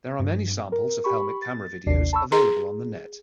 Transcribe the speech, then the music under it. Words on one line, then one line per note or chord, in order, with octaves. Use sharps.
There are many samples of helmet camera videos available on the net.
G2
A#4
G4 B5 C#6
A6
A1 D#2 C3 D4 D5 C7
A5 B5 C#6 E6
G#4 A#5 C6